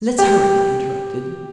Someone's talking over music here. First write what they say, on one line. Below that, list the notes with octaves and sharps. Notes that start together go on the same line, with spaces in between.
"Let's hurry!" I interrupted.
G4